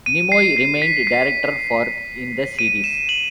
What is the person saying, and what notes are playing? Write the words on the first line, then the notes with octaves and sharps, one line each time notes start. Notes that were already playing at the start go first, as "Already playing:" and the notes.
Nimoy remained director for in the series.
D#7
C7
C7
B6
C7
D#7
E7
F#7